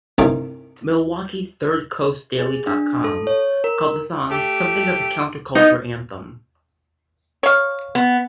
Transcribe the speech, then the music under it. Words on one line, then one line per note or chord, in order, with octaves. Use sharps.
Milwaukee's "Third Coast Daily dot com" called the song "something of a counterculture anthem".
C2 G2 A3 D#4 G#5 D6
G#4
D4
A4
C#5
A#4
A3 G4
B3 D#4
C#5 F5
B3